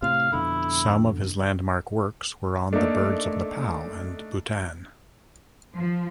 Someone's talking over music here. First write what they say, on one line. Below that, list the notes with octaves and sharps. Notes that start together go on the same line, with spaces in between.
Some of his landmark works were on the birds of Nepal and Bhutan.
A2 C3 F5
F2 B2 D3 E4
A3 A#3 D4 D#4
F3